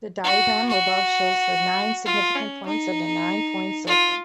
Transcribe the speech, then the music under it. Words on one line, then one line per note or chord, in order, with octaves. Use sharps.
The diagram above shows the nine significant points of the nine-point circle.
F#4
F#4
F4
C#4
D#4
F4